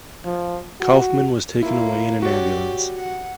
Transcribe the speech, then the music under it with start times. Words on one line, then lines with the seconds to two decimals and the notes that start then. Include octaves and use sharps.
Kaufman was taken away in an ambulance.
0.25 F3
0.80 F#4
1.63 A#3 E4 F4
2.22 F#4 G4 C#5 D5
2.96 F#5